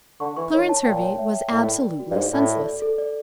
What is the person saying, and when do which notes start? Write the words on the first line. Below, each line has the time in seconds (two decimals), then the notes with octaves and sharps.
Clarence Hervey was absolutely senseless.
0.20 D3 C#6
0.36 E3 C#6
0.53 D#3 C#5
0.69 A5
0.85 A#2 G5
1.03 C#5
1.18 E5
1.35 G5
1.51 A2 D5
1.67 A#4
1.83 D5
2.00 F#4
2.11 G2
2.16 G#2 D5
2.33 A2 D5
2.50 A4
2.65 D5
2.82 A4
2.98 D5